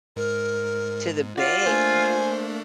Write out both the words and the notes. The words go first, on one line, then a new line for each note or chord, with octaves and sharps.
to the bay.
G#2 A#4
F4 F#4 D5
A3 A#3 D4 C5 G#5